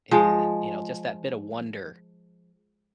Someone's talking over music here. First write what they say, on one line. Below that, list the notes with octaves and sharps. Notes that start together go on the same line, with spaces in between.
and, you know, just that bit of wonder
F3 G#3